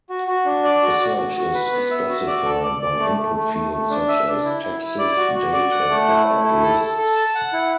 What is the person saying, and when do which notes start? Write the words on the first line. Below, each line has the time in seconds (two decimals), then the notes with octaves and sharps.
A search is specified by input fields such as: texts, date and popup lists.
0.10 F#4
0.28 F#4
0.45 D4
0.64 D5
0.82 F#4
1.00 F#4
1.17 F#4
1.37 F#4
1.54 B4
1.72 B3
1.91 E5
2.09 F#4
2.27 D5
2.45 A4
2.63 D5
2.82 D5
2.99 A3
3.17 A3
3.36 A3
3.54 A3
3.72 A3
3.90 D4
4.08 E5
4.26 D4
4.45 E4
4.63 E4
4.81 E4
4.98 D5
5.17 F#4
5.35 F#4
5.53 D5
5.71 F#5
5.89 A3
6.08 E4
6.25 A3
6.44 E4
6.62 A4
6.80 A4
6.98 A4
7.16 A5
7.35 F#5
7.53 E4